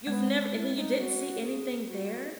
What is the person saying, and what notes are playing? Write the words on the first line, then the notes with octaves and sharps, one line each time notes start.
You've never and then you didn't see anything there?
G#3 B3
E4
D#4
F#4
G#4
G#4
F#4